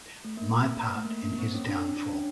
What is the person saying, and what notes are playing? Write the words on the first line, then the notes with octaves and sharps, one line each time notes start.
My Part in his Downfall.
A3
A#3
A3
A#3
A#3
C4
C#4
D4
D4
D4
C#4